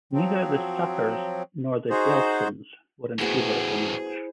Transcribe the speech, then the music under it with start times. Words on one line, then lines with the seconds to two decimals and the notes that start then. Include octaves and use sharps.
Neither the Sapirs nor the Delsons were in favor of the match.
0.13 F3 F#3 C4
1.90 D#4 F#4 G#4 C5
3.19 E2 A2 A3 B3 E4 F#4 G#4 C5